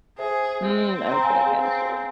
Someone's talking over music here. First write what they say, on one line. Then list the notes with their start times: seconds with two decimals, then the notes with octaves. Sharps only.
Mm, okay, gotcha.
0.19 G#4 C5 E5
0.65 C4
1.07 C6
1.11 G5 A#5
1.23 F5 G#5
1.35 C#5 F5
1.46 G#4
1.58 C4